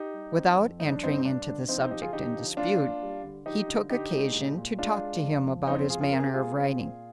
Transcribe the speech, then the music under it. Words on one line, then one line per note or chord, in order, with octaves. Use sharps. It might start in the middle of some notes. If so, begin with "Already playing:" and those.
Without entering into the subject in dispute, he took occasion to talk to him about his manner of writing.
Already playing: D#4 G4
G3
C4
F2
G2 D#4
D4
G2 C4 D#4
G2 D4
D3
F3 C4 D#4
C4 D#4
F3 D#4 G4
F4 G#4
D3 D#4 G4
F3
A#3 D4 F4
A#3
G3
D3
F3 D#4 G4
D3
D3 D#4 G4
G#3
A#2
A#2
G#3 D4 F4
G#3
F2
F3
F2 C4 D#4
C4
C3 F4 G#4
F4 G#4
C4 A#4
G#4
G4
G#3 F4 G#4
C4
A#2